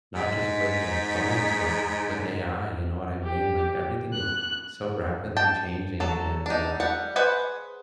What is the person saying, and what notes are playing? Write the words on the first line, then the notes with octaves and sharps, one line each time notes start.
not, just, with, like, phones, but with AI, you know what I mean, like, everything is so rapidly changing and, uh,
G#2 D#4 B6
G4
F#6
G5 A5
F#3 A4
D4 D#4
G3 F#5
G#4 B4 C5 F#5